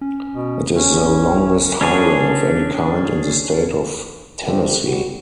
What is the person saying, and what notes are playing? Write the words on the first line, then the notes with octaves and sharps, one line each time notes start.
It is the longest highway of any kind in the state of Tennessee.
C#4
B2
C#4
A1
C#4 D4 G#4 C#5
C#2 D3 G3 A3 C4 G4
G3 F#4